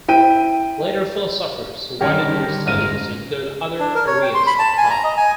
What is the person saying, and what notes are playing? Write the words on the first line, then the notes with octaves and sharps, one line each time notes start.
Later philosophers widened their studies to include other areas of thought.
E4 G5 D#7
D3 D#3 G3 C#4 G4 A#4
F#1 G#2 A#4 D#7
D4
A#4
C#5
G5
C6
B5
A5
G#5
A#5
D#5
G#5